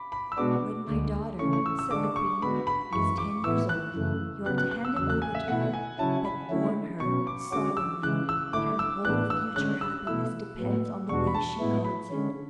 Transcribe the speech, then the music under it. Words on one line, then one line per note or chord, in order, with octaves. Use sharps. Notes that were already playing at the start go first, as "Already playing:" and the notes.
'When my daughter,' said the queen, 'is ten years old, you are to hand it over to her, but warn her solemnly that her whole future happiness depends on the way she guards it.
Already playing: B5 D6
B5
E6
B2 G#3 B3 D4 F#4 D6
D2 D3 G#3
C#3 E3 A3 C#4 C#6
C#6
E6
E6
D3 G#3 D4 D6
C#6
D3 G#3 B3 F#4 B5
B5
F#2 E3 G#3 C#6
D6
A2 E3 B3 E4 E6
F#6
F#2 C#3 E3 A3
C#3 F#3 B3 F#6
F#6
F#6
E6
E2 C#3 F#3 E6
F#6
G#5
E5
B2 A3 E4 F#5
G#5
C#3 F#3 C#4 E4 A5
B5
D3 A3 C#4 E4
B2 F#3 C#4 C#6
D6
D3 G#3 C#4 F#4 D6
E6
C#3 E3 G#3 F#6
E6
D3 A3 E4 D6
E6
A2 E3 B3 D4 F#6
E6
D3 G#3 C#4 F#6
E6
B2 A3 E4 E6
A2 F#3 B3
E2 B2 G#3 D4 F#4 C#6
B5
A5
A2 G#3 B3 E4
B5
D3 G#3 C#4